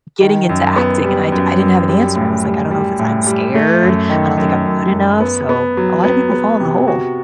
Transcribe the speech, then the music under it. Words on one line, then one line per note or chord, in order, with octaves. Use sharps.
getting into acting," and I I didn't have an answer, I was, like, "I don't know if it's I'm scared, I don't think I'm good enough," so a lotta people fall in the hole.
D#3
F#2
B3
G3
F#2
F#2
G3
A2
G3
G3
A2
G3
A3
F#2
D#3
F#2
F#2
F#2
B3
B3
F#3
B3
B3
C3
F#4